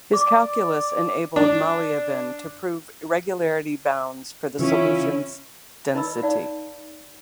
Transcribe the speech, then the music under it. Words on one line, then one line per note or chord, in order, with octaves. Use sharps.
His calculus enabled Malliavin to prove regularity bounds for the solution's density.
D5 D6
D4
C#3 E3 C#4 E4 F4
D#4 B4 D#5 B5 E6
D#4 D5 F5